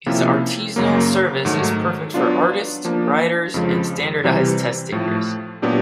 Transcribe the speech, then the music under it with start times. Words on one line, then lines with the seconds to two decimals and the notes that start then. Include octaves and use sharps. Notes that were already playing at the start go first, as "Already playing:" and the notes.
His artisanal service is perfect for artists, writers, and standardized test takers.
0.06 C3 F3 A#3 C#4 E4
0.76 F#2 C#3 F#3 A#3
1.45 G#2 D#3 F#3 A3
2.14 F#3 B3 D4 F4
2.85 F3 A#3 D4
3.54 F2 C#3 F3 G#3
4.24 C3 E3 G3 C4
4.92 A2 F3 A3
5.62 A#2 F#3 B3 D4 G4